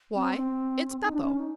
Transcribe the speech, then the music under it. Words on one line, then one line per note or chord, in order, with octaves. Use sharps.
Why, it's Beppo.
C4
C4
D#4
D4
C#4
D#4